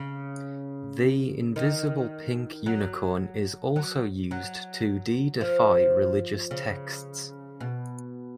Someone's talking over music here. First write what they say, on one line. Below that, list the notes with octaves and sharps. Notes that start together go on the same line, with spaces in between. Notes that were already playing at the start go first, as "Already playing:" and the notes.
The Invisible Pink Unicorn is also used to de-deify religious texts.
Already playing: C#3
D#3
F#3
F#3
F#3
F3
C#3
B2